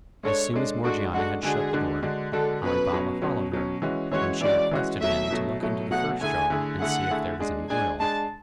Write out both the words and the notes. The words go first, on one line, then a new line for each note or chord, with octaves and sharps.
As soon as Morgiana had shut the door, Ali Baba followed her, when she requested him to look into the first jar, and see if there was any oil.
G#3 D4 A4 C#5
G#3 D4 A4
G#3 D4 F#4 A4
G#3 D4 F#4 A4
D3 G#3 D4 F#4 G#4
D3 G#3 D4 F#4
D3 G#3 D4 F#4
D3 G#3 D4 F#4 A4
B2 F#3 C#4 B4
B2 F#3 C#4
B2 F#3 C#4
B2 F#3 C#4
E3 G#3 C#4 F#4
E3 G#3 C#4 F#4 C#5
E3 G#3 C#4 F#4 D5
E3 G#3 C#4 F#4
B2 F#3 A3 E5
B2 F#3 A3
B2 F#3 A3
B2 F#3 A3 F#5
D3 A3 E4 G#4 G#5
D3 A3 E4 G#4
D3 A3 E4 G#4 F#5
D3 A3 E4 G#4
G#3 D4 G#4
G#3 D4 G#4 G#5
G#3 D4 G#4 A5